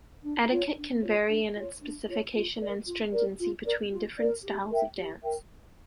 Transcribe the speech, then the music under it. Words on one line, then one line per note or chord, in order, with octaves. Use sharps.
Etiquette can vary in its specification and stringency between different styles of dance.
D4
F4 C#5
D4
F4 C#5
D4
F4 C#5
D4
F4 C#5
F4
A#4 D5
F4
A#4 D5
F4
A#4 D5
F4
A#4 D5
G4
A#4 E5 G5
G4
A#4 E5 G5